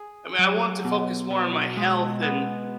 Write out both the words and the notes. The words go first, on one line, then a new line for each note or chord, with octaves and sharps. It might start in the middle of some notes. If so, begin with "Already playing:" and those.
I mean, I want to focus more on my health and
Already playing: G#4
F#3
B2
B2
G#3
B3